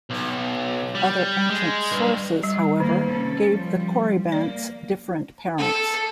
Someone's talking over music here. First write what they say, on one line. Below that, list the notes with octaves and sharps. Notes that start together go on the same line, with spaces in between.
Other ancient sources, however, gave the Corybantes different parents.
B1
G3
G#3
G2
G3
G#2 D#3 A#3
C3 C#4 A4
F3 G3
A#3 D5
A4